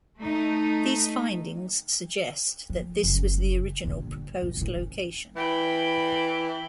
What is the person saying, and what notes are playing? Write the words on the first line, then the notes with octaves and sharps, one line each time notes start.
These findings suggest that this was the original proposed location.
A3 D#4
F3
F#1
G1 A#2
A#2 G3
A1 D#3
C#4
E3 G5 B5